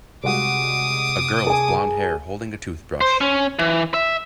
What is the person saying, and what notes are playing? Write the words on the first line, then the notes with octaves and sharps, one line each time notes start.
A girl with blondhair holding a toothbrush.
C3 G3 G#3 F#4 D6 D#6
G#4 A#4 G#5 A5
C5
C#4
E3
E5